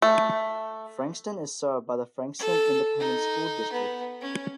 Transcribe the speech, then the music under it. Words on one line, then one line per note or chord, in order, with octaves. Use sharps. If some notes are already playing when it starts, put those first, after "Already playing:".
Frankston is served by the Frankston Independent School District.
A3
A4
D#4
B3
C#4